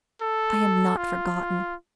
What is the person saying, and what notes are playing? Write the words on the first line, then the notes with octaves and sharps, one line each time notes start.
I am not forgotten.
A4
F4